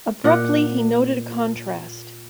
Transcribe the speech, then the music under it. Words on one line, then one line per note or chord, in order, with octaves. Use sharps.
Abruptly he noted a contrast.
A#2 F#5